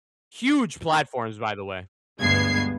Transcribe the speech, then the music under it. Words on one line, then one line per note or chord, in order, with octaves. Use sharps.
Huge platforms, by the way.
D2 G2 G#3 B3 G#6 C7